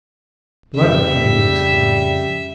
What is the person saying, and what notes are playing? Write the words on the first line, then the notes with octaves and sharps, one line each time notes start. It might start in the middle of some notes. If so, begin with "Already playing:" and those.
"Blood!" Kennedy exclaimed.
F2 C#3 G3 E5